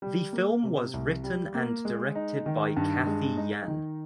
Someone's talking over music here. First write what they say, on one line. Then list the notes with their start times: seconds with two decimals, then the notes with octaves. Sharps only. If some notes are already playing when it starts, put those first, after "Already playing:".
The film was written and directed by Cathy Yan.
0.02 G3
0.33 A#3
0.63 C3
0.94 C2
1.24 G3
1.54 A#3
1.85 G#3
2.15 D#4
2.46 D#3
2.77 G2
3.07 G#3
3.37 D#4
3.68 D#3